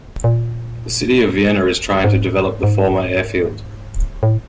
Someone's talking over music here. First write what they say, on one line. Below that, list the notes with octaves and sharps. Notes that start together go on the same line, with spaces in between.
The City of Vienna is trying to develop the former airfield.
A#2
G#2
A2
G#2
G#2
A2